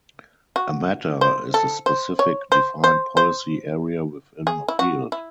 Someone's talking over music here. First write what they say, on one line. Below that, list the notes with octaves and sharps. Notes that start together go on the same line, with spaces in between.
A Matter is a specific defined policy area within a Field.
F#4
C5
A4
C5
C#5
C5
C5
C5
G#4
E4
F#4
E4